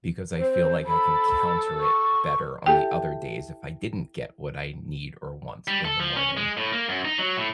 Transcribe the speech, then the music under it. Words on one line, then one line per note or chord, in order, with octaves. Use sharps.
because I feel like I can counter it better on the other days if I didn't get what I need or want in the morning.
C4 C5
A4 B5
C#6
E4 G4 A4 G5
G3
A4
F3
C#4
G#3
A2
A#3
F#2
D#4
F#3
A2